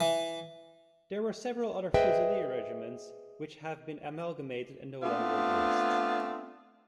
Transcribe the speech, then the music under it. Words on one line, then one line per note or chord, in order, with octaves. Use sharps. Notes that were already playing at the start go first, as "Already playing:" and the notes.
There were several other fusilier regiments which have been amalgamated and no longer exist.
E3
G#4 B4 C5 D#5 E5 G5
A3 B3 C4 D4 F4